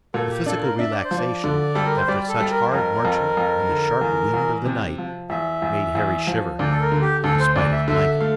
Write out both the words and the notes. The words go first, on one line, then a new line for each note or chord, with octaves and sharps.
The physical relaxation after such hard marching and the sharp wind of the night made Harry shiver, despite his blanket.
A#2 A4
G4
D4 A4
A#4
D4 E5
D5
C5
F3
D5
D3
G3 A4
A#4
C5
G3 D5
A4
G3
A#4
F2 A#4
F2
F2
D3
E2
E2
C3
F3
E2 E5
E2
E2
F3
D2 D5
A4
A#4
D3
G4
D2 A4
C5
D2 D5
E5
D3 E5
A3 F5